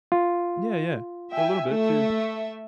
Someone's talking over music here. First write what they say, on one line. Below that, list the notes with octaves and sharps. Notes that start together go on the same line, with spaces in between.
Yeah, yeah. A little bit too.
F4
E5 G5 G#5
A3 E5